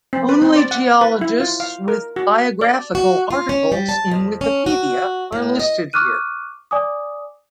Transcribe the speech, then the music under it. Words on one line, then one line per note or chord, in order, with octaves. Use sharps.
Only geologists with biographical articles in Wikipedia are listed here.
C4
B4
C4
D5
F#5
B4
E4
F4
F5
A#4
F#4
D5
F#4
F4
C#4
G3
A5
F2
C#4
F#4
A2
D#5
C#6 D6 F6 F#6 D#7
D5 G#5 D6 D#6